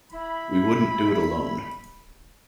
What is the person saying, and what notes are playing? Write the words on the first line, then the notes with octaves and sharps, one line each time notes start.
We wouldn't do it alone.
E4 B5